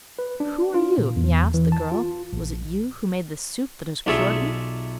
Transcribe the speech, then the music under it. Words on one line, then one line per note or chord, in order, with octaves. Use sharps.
'Who are you?' he asked the girl; 'was it you who made this soup that has cured me?'
B4
D4
F4
A#2
E2
E3
A5
F4
A#1
B1 D4 F4 G#4 E5 C#6